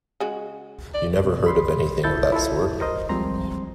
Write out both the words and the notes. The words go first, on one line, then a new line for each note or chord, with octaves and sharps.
You never heard of anything of that sort?
C#3 G#3 F#4
D5
C3
B5 C6
E4 A4 G6 A6
E4 F4 A4
A#4 C5 D#5
F3 G3 G#3 C4 A#5 C6